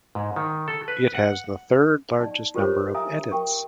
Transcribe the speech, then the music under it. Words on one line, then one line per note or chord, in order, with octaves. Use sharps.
It has the third-largest number of edits.
G#2
D#3
A4
B4
F#5
D#4 D5
F4 G4 A4 A#4 C5 C#5
E5 G#5 A#5 D#6 E6
A#4 G5 C#6